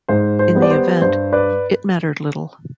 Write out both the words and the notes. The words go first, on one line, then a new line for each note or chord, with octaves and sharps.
In the event, it mattered little.
G#2 C5
C5
G3 B3
D5
C5
G2 C5
B4 D5